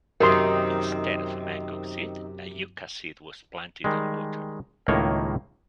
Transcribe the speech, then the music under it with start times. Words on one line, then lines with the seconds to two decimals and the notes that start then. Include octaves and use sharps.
Instead of a mango seed, a yucca seed was planted and watered.
0.21 F#2 C3 D#3 C4 D#4 A#4 C6
3.84 D#3 G3 G#3
4.88 C#2 A2 D#3 A#3 C#5